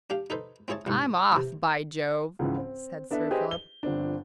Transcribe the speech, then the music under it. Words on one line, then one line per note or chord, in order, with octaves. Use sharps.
"I'm off, by Jove!" said Sir Philip.
D4 G4 F5
D#4 A4 B4 C5
C4 E4 G#4 C#5 A5
C2 G#2
C3 E3
C#2 G#2 C#3 E3 F3
C4
B3 D4 A4 E5
D4 G4 G#4 B4 C5 D#5
G7
G1 F3 C4 D4